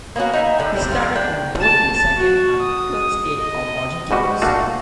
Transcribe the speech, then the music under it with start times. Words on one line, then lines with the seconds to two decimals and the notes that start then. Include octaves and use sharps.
He started in both the second and third State of Origin games.
0.16 A#3 B3 C#4 F#4
0.33 D#4 E5 G#5
0.59 A2 D3 G4
0.76 G3 C4 D4
0.91 A3 F4
1.15 D4 G5
1.61 A5
2.17 F#4
2.60 D#6
3.40 D#5
4.11 G#2 G3 F#4 B4
4.42 A#2 A3 D4 F#4 F5